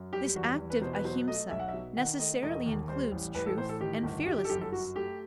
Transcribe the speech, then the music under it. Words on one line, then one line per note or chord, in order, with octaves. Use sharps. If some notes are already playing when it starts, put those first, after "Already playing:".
This active Ahimsa necessarily includes truth and fearlessness.
Already playing: F#2
G3 G4
E2 F#4
E2
B4
B2 C5
B4
F#3 C5
A3 D#5
B1 E5
F#5
E5
B2
D#3 F#5
A3 D#5
E1 D#5
D#2
G3 C5
A1
A1 B4
A4
A2 C5
A4
D#3 G4
G1
G1 G4
G4
A4
F#2 G4
A4
F#3 F#4
A3 G4